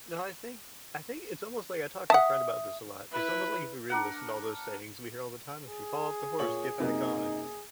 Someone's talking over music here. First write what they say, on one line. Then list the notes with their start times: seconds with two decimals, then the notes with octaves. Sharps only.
No, I think I think it's almost like I talked to my friend about this a lot, It's almost like if you really listen to all those sayings we hear all the time, "If you fall off the horse, get back on",
2.10 E5 F#5 A5 D#6
3.12 E4 B4
3.90 D4 A#4 F#5
5.68 G#4
6.39 A#2 C#5 F#7
6.80 F#2 C3 A#3 D#4